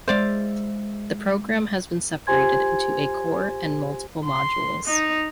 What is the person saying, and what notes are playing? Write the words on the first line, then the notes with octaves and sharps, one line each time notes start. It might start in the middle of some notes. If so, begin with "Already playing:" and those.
The program has been separated into a core and multiple modules.
G#3 C5 D5 E5 F5
F4 G4 C5 G#5 C6 G#6
C6
D#4